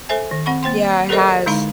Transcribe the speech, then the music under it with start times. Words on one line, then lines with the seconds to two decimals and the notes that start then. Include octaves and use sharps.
Yeah, it has.
0.09 A4 C5 E5 G#5
0.31 D#3
0.46 C4 F#5 B5 C#6
0.63 A#3 C5 G5 C6
1.09 G4 A4 A#4 C5 D5 D#5
1.46 D3 G#3 D#4 E4 F5 B5